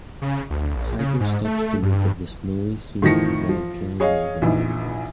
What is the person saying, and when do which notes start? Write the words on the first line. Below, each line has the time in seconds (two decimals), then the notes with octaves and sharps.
A hiker stops to look at the snowy scenery while climbing the mountains.
0.22 C#3
0.50 D2
0.75 A#1
0.99 C#3
1.20 G#2
1.45 A3
1.82 G2
3.02 A2 D#3 F3 A#6 C#7
3.49 F3
4.00 G#4 C#5 D#5 F5
4.42 A#1 E3 D#4